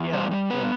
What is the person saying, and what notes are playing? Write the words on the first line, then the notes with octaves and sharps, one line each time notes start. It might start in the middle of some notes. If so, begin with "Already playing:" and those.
Yeah. Yeah.
Already playing: E2
G3 C5
G3
B3 B4